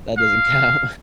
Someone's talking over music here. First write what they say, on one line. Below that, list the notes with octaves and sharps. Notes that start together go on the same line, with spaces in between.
that doesn't count.
F5